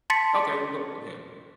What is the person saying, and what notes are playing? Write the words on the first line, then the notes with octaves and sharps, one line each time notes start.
okay, we'll go, okay,
A5 C6 A6 B6 C#7